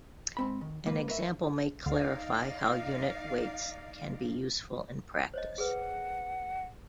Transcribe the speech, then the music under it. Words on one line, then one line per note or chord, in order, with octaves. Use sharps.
An example may clarify how unit weights can be useful in practice.
G#2 C4 B5
D#3
C#2 A#3 B4
A#4 B4 C#5 D#5 E5
D2 D#4 D5 F5
C5 C#5 D#5
G#4 A4 B4 F#5